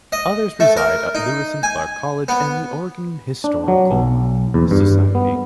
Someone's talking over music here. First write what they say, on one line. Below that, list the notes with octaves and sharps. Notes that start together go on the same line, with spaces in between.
Others reside at Lewis and Clark College and the Oregon Historical Society.
D#5
A3
A#4
D#4
G#5
B3
D4
F#3
B1
E2
G2
B3